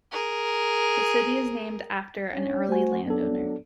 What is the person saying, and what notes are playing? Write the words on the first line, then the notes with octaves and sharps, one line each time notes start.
The city is named after an early landowner.
G#4 A#4
C#4 D4 C#5
A3 F#4 C5 G#5
F#3 B3 D4 A4